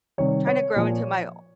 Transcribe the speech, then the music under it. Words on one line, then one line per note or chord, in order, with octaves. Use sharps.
trying to grow into my o
C3 D#3 G3 C#5
C#5
A#2 F3